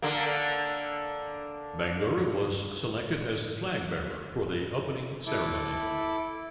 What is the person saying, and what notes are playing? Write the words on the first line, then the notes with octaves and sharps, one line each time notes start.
Bangura was selected as flag bearer for the opening ceremony.
D3 A#3
E4 A4 D6